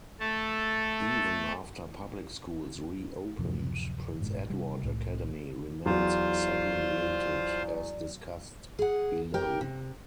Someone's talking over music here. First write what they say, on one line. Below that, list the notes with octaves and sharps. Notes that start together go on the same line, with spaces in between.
Even after public schools re-opened, Prince Edward Academy remained segregated as discussed below.
A3 A4
D1 F#2 C3 F3
F#1 G#2 B2
C3 G3
C2 A2
E2 F#3 F4 F#4 C5 D5
G#4 F#5
G4 A#4 G5
C3